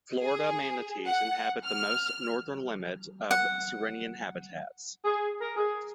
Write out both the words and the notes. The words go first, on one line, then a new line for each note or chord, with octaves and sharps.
Florida manatees inhabit the most northern limit of sirenian habitats.
G#4
F#5
F6
F#5
G#4
A#4
G#4